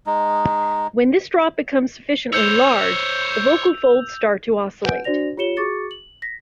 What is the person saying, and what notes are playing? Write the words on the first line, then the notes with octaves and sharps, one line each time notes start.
When this drop becomes sufficiently large, the vocal folds start to oscillate.
G#3 D#4
C5 C#5 E6 G6 F7
B4 F#5 G#5 G6 D7
D4 F#4 C5 D5 A#6 F7
F4 G4 C#5 C#7 E7 G7
F#4 G#4 C#6 D6 A6 C#7
F#7
A#6 B6